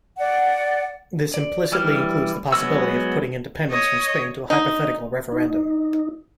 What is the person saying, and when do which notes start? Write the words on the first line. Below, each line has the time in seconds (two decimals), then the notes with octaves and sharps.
This implicitly includes the possibility of putting independence from Spain to a hypothetical referendum.
0.18 D5 F#5
1.34 D5
1.72 E3 G3 E4 F6
2.53 F#3 G#3 B3 F#4 E6
3.70 C#5 D#5
4.50 D#4
5.32 D#4